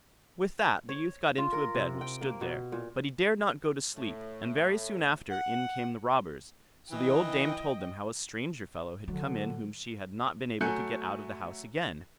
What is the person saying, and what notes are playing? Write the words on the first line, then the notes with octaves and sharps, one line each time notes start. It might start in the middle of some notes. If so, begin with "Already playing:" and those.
With that the youth got into a bed which stood there, but he dared not go to sleep, and very soon after in came the robbers; so the old dame told them how a stranger fellow had come in whom she had not been able to get out of the house again.
C#5
F4
A#4
C3
G5
A#3
B2
A#2
A2
F#5
E3 D#5 G5
D3 F#3
F#3 A3 G#5 F#6 G6 C#7